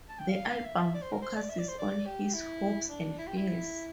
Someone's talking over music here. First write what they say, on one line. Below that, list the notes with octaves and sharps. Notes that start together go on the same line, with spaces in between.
The album focuses on his hopes and fears.
A5
G5
F5
E5
D5
C5
A#4
C5
D5
E5
D5
C5
D5
G4
E4
D4
E4
G4
E4